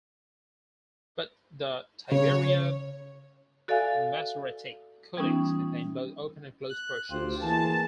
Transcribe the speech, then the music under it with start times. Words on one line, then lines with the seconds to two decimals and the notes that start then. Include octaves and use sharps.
But the Tiberian masoretic codices contain both open and closed portions.
2.12 C#3 C#5
3.68 F#4 A4 D5 E5 F5 G#5
5.17 E3 G3 B3 C#4 D#4 F4
6.69 F#6
7.11 D2 F4 G4 C5
7.43 E3 A#3 G#4 A5